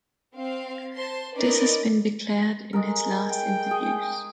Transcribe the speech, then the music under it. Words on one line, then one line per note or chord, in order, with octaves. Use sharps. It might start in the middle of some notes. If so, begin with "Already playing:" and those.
This has been declared in his last interviews.
C4 F5
C5 A5 C6
C#4 D#4 A#4 B4 D5 D#5
G#3 A#4
G5
G#4